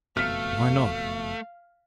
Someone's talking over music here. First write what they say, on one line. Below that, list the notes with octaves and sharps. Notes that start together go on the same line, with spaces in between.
Why not?
F#1 F2 B2 A3 F5 F6 B6